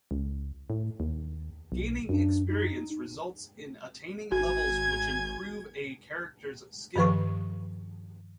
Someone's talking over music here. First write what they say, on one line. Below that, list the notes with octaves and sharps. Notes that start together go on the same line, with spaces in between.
Gaining experience results in attaining levels which improve a character's skill.
C#2
A2
D#2
B1
F#2 D4
D#4
G#1 F#4 G#5 G#6
G2 D#3 F3 B4 C#6